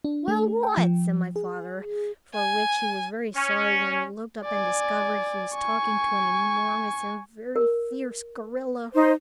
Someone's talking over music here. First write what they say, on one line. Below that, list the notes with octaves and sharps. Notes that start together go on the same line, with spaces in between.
"Well what?" said my father, for which he was very sorry when he looked up and discovered he was talking to an enormous and very fierce gorilla.
D4
A3
G5
F3
G#4
G#5
C#4
D5 G#5
G#5 C#6
A#4
D#4 C5